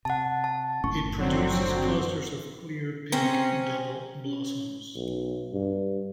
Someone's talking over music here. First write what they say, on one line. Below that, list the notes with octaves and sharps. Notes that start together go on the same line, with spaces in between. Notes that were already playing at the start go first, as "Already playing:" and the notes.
It produces clusters of clear pink double blossoms.
C3 F#5 A5
A5
F#1 A2 C#4 C#6
D3 F#3 C4
C3 C4 C#4 A#5
C#4
B1
G2